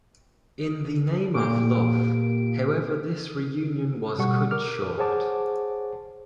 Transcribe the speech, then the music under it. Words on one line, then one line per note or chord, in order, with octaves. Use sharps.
In the Name of Love, however this reunion was cut short.
A#2 A#3 G4 D7
B2 G3 F#5 C#6
A#4 D6 F6
G#4 C5 C#5 F#5 A5 D6